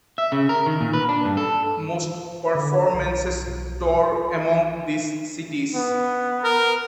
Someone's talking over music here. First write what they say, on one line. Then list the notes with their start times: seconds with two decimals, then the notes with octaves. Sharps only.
Most performances tour among these cities.
0.18 E5
0.32 C#3
0.49 A#4
0.66 D#3
0.81 A#2
0.93 B4
1.09 D4
1.25 G2
1.37 A4
2.55 D3
2.94 B1
5.75 B3
6.44 A#4